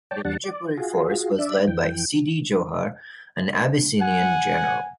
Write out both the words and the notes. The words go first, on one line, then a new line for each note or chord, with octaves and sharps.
The Bijapuri force was led by Siddhi Johar, an Abyssinian general.
C#5 D5 G5 A5
E2 G3 D4 F#5 A5
D5
F4 F#4 G#4
D4 D5 E5
F2 E3 G5
F#5 G#5